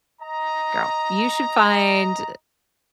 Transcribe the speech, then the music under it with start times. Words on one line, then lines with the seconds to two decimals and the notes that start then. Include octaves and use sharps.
girl, you should find,
0.20 D#5 A#5